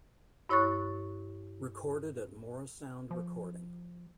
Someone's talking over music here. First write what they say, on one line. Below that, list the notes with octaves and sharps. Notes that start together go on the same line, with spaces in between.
Recorded at Morrisound Recording.
G2 E4 C#5 C#6 F#6 A6
F3